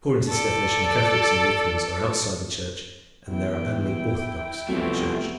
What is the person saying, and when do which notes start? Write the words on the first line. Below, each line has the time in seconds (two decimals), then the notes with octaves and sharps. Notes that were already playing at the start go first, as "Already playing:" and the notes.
According to this definition the Catholics and Lutherans are outside the Church, and there are only Orthodox in the Church.
0.28 A4 D5
3.30 E2 E4 G5
4.69 C2 F3 A3 B3 C4 F#4